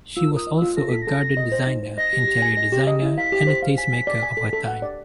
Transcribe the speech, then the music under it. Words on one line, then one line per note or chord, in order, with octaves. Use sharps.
She was also a garden designer, interior designer, and a taste-maker of her time.
F4 E6
A#4 D#6
D#5
F4 E6
A4 A#6
A4 B6
A#6
A4
A4
D#5
C5
D#4
C5
D#5 A#6
G4
G4
G#5
D#5
G4
D#5
E4
F5 B6
G4
C5
F5
G#5 B6
G#5
D5
G#5
A4
A4
F#5
D5